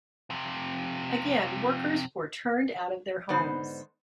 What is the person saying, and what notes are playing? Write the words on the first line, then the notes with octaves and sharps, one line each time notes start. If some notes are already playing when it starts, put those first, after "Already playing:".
Again workers were turned out of their homes.
F2 C3
G#2 D3 B3 D#4 C5